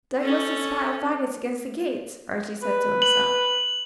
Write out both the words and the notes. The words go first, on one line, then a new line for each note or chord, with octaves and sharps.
"Douglas has piled faggots against the gates," Archie said to himself.
C#4 A4
B4
F#7